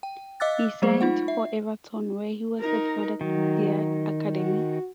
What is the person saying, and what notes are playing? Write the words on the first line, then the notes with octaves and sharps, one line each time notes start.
He signed for Everton where he was a product of their academy.
G5
D#5 F5 D6 E6 F#6 A6
F#3 G#3 A3 G#4 C5
D#4 F4 F#5
E5
D#4 A#4
D#3 F#3
F#4